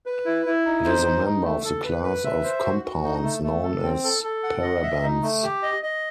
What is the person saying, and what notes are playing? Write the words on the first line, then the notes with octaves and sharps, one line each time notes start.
It is a member of the class of compounds known as parabens.
B4
E4
E4
D#4
C5
D#4
D#4
A3
A4
B4
B4
E5
C5
F#4
F#4
D#4
A3
A3
A4
C4
A4
A4
F#5
D#5
E5
D#4
A3
G4
D#5
D#5